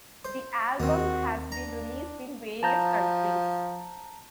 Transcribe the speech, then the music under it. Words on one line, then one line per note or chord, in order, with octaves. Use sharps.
The album has been released in various countries.
C5
D#2 D#3 C4 F#4
D4 A#5
F3 A5 A#5 G6